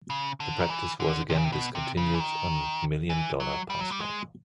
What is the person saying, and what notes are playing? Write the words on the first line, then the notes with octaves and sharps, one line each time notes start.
The practice was again discontinued on Million Dollar Password.
C#3
D3
D#3
E3
D3
C3
C#3
C3
B2
C3
C#3
E3
D#3
E3
F#3
G3
F#3
G3
G#3